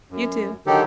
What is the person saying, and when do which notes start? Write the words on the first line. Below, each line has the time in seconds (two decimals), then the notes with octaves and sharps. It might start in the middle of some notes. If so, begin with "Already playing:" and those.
You too.
0.11 F#2
0.66 D3 D#3 F#3 D#4 G4 A4